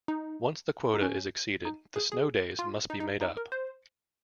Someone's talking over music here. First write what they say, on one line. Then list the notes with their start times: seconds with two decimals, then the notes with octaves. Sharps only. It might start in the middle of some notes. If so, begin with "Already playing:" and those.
Once the quota is exceeded, the snow days must be made up.
0.08 D#4
0.94 D#4
1.02 C#4
1.65 D#4
1.96 G#4
2.12 G#4
2.59 F4
2.90 D#4
3.00 D#4
3.21 D#4
3.37 A#4
3.52 C5